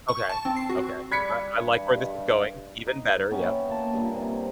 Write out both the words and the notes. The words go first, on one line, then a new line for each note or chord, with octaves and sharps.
Okay, okay. I I like where this is going. Even better. Yep.
C#6
A5
C4
C7
F#4
G3 B5 F#6 G#6 B6 C#7
G2
G4 D#5
D#4
B3 C#4 E5 G5
A#3 A5
G2 A#2
C3